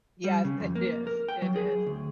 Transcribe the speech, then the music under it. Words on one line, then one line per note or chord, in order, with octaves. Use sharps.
Yes, it is. It is.
G3
C#3
F2
A#3
A#4
G5
F#3
G#4
D2